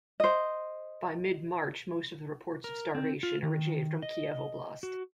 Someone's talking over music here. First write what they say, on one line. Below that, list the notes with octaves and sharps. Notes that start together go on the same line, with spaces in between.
By mid-March, most of the reports of starvation originated from Kiev Oblast.
C5 D#5
A#4
C4
F4
D#3
D#5
F#4